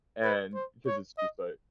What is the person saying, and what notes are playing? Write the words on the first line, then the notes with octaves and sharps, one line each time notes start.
and because it's just, like
B4
C5
C#5
D#5